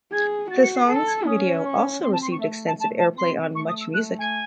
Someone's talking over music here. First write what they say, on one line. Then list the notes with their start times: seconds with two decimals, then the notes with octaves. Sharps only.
The song's video also received extensive airplay on MuchMusic.
0.12 G#4 G#6
0.50 F#4 A6
0.63 C#7
0.76 C7
0.89 A4 C7
0.98 E6
1.07 G#6
1.17 E6
1.26 C#4 D#6
1.65 C#6
2.03 C4 C6
2.12 A5
2.22 C6
2.32 C#6
2.41 A3 E5
2.67 A5
2.79 A3 A5
2.99 A5
3.18 C4 C6
3.55 A3 C#6
3.68 D#6
3.81 E6
3.93 A3 F#6
4.19 G#5